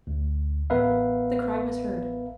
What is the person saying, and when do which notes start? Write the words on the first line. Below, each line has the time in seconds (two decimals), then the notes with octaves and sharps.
The cry was heard.
0.07 D2
0.70 A1 B3 A#4 B4 E5 F5